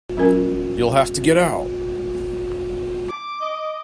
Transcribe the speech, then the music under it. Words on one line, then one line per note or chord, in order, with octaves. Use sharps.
You'll have to get out!
F#3 C#4 F4 A#4 G#5
D6
D#5